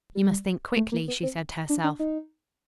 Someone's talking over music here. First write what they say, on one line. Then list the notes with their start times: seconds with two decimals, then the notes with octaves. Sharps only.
"You must think quickly," she said to herself.
0.15 G3
0.77 A3
0.92 A#3
1.08 B3
1.23 C4
1.69 D4
1.84 D4
1.99 D#4